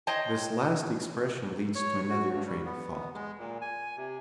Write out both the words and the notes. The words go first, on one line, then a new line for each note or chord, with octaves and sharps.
This last expression leads to another train of thought.
C5 C#5 D#5 G5 A5
C#5
F#4
G2
G3
B3
G#3
A#2
G#5
C3